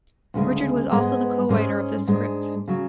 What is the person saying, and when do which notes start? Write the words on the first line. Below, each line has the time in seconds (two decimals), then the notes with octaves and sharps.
Richard was also the co-writer of this script.
0.34 D2 C#3 G#3
0.91 G#2 G#3 B3
1.49 G#2 G#3 C#4
2.07 G#2 G#3 D4
2.68 C#3 F#3